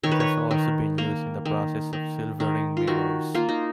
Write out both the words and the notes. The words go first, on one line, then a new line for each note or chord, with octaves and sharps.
It has also been used in the process of silvering mirrors.
D#3 C#5
B4
C#5
D#3
A#3
D#3
D#3
D#3
F4
D#3 F#4
A#3 F4
D#4